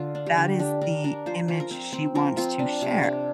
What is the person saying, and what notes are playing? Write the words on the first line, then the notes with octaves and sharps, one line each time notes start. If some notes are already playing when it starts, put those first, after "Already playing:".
that is the image she wants to share.
Already playing: D3 F4
D4
G4
D3
D4 G4
D4 A#4
D4 A#4
F3 C5
F3
A#4
C4
C4
F3 A#4
C4 F4
D4
C3
D4